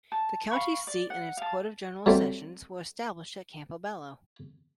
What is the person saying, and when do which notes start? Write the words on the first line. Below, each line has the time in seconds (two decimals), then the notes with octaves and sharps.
The county's seat and its court of general sessions were established at Campobello.
0.12 A5
0.51 F5 B5 C#6
0.87 D5
1.10 F#5
1.37 F5 A5
2.06 F#3 G3 A3 C4